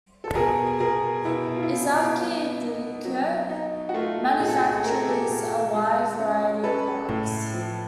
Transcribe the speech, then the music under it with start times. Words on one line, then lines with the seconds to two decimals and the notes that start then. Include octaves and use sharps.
Ezaki Glico manufactures a wide variety of products.
0.24 A4
0.35 B2 G#4 A#4
0.80 B2 G#4 A#4
1.25 B2 E4
1.55 F4
1.63 E4
1.69 B2 F4
1.85 E4
2.06 E4
2.15 B3
2.60 D#4
3.05 F#3
3.50 D#4
3.89 F#4
3.94 A3 F4
4.39 A#2 G#4
4.48 A4
4.56 F#4 G#4
4.84 A3 A#4
4.92 A4
5.00 G#4
5.08 G4 A4
5.29 A#2
5.74 G#3
6.19 C#4
6.64 C#4 A4 B4
7.09 A2
7.54 F3